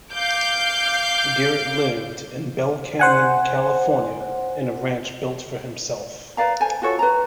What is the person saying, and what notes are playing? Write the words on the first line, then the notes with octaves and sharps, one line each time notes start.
Garrett lived in Bell Canyon, California in a ranch built for himself.
F5 D6 G6
C5 F#5 G#5
B4 D5 F5 A#5
A4 C5 G#5
F4 F#4 A4 C#5
B4 A#5